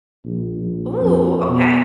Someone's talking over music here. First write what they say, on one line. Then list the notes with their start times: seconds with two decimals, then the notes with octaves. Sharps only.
Ooh, okay.
0.25 A#1
0.60 A#1
1.01 F2
1.49 B2